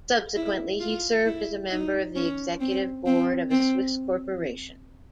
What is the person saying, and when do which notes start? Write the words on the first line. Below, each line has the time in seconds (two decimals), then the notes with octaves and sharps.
Subsequently he served as a Member of the Executive Board of a Swiss Corporation.
0.36 E4
0.80 F4
1.26 E4
1.70 D#4
2.16 C#4
2.60 C4
3.06 C4
3.51 C4